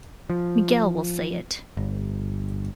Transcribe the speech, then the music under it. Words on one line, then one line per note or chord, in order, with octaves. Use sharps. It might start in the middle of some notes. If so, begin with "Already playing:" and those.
Miguel will say it.
F3
G1